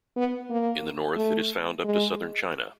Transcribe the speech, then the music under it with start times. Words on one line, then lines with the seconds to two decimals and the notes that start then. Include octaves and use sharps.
In the north it is found up to southern China.
0.16 B3
0.50 A#3
1.17 A3
1.84 G#3